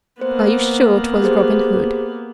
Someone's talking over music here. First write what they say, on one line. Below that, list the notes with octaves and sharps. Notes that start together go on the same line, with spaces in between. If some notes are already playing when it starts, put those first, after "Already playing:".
"Are you sure 'twas Robin Hood?"
A#3 B3 C5
G4 G#4 C5